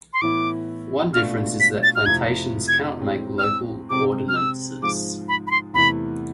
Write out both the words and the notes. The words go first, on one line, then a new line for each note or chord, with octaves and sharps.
One difference is that plantations cannot make local ordinances.
C6
A2 E3 B3 E4 D6
B2 A3 D4 F4 F6
B6
A6
F6
F2 C3 F3 A3 E4 G#6
G#6
A2 G#3 C4
F6
E6
C3 G#3 C4 D6
F6
E6
G#2 F3 G#3 D6
B5
B5
C6
E2 C3 E3 A3 E4 B5